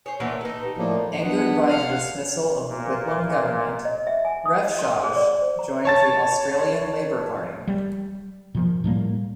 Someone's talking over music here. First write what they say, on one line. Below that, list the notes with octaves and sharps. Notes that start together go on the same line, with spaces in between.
Angered by the dismissal of the Whitlam Government, Refshauge joined the Australian Labor Party.
C5 C#5 G#5
A#2 E3 D4 F#5
D#4 A4 B4
G4
A2 F3 A#3 D5
B3 D4 F#5
F5 F#5
A#2
D#5
E5
G#5
D#6
D#5
C6
G#4
D5
C5
A#5
C#5 A5 A6
G3
A#2 F3
A2 G3 A#3